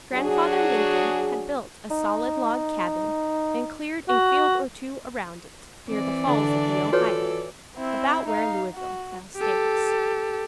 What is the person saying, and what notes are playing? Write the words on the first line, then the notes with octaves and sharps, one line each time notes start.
Grandfather Lincoln had built a solid log cabin and cleared a field or two around it, near the Falls of the Ohio, about where Louisville now stands.
F#3 D4 F#4 G#4
D#4
F#4
E3 C4 D5
D3 D4
F4 F#4 A4 B4 C#5
C4 E4
D#4 F5
F#4
G4 A4